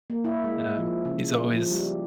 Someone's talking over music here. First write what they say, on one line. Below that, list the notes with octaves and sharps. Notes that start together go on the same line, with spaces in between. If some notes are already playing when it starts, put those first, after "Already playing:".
um, he's always
A#3
E4
G#3
F3
C#3
F3
G3